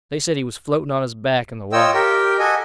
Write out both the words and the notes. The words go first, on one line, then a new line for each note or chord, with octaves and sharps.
They said he was floating on his back in the water.
F4 C#5 D#5 G5 E6
G4 A#4 G5
F#4 A4 D#5 G#5